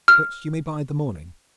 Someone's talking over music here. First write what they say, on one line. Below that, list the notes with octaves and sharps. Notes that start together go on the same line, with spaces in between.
"But you may bide the morning?"
F6